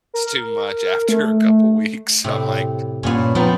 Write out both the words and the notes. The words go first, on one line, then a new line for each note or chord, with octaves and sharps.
It's too much after a couple weeks. I'm like,
A#4
A3
A2 C3
G2 A#2 B3 C#4
F3 B3 D#4 G5